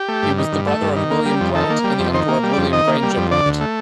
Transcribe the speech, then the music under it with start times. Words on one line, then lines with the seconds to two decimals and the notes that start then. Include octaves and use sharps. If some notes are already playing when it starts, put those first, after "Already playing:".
He was the brother of William Blount and the uncle of William Grainger Blount.
Already playing: G4
0.08 A3
0.23 G2
0.38 D#3
0.52 G2
0.67 A3
0.82 G2
0.96 D#3
1.11 A#3
1.26 G3
1.40 F2
1.55 D#3 A4
1.70 A#3
1.84 G3
1.99 F2
2.14 D#3 C5
2.28 A#3
2.43 G3
2.53 D5
2.57 F2
2.73 D#3 D#5
2.88 A#3
3.03 G3
3.17 F2
3.31 D3 D5
3.46 D2
3.61 A3